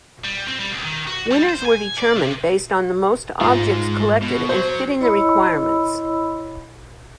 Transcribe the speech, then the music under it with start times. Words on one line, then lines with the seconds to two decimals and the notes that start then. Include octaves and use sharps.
Winners were determined based on the most objects collected and fitting the requirements.
0.24 G3
0.48 C4
0.59 G3
0.72 C#2
0.84 D#3
1.08 F#4
1.31 G3
1.49 C5
1.66 G#5
1.99 D5
2.16 C3
3.41 G#2 G#3 F4
4.22 B2
4.49 F#3 C5
5.01 E4 C#5 D#5 B5 C6 E6